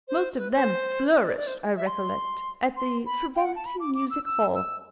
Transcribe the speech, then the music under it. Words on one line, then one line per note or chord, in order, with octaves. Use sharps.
Most of them flourished, I recollect, at the Frivolity Music Hall.
C5
B4
C5
D5
D5
C5
E5
C6
C6
B5
G5
F#5
A5
B5
D6
D6
E6
E6
E6